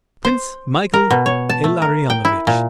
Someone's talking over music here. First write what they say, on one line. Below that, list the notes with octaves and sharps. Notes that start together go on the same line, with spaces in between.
Prince Michael Ilarionovich!
C5
A#4
B2
C#5
A5
A3
A#4
G5
E4
A#2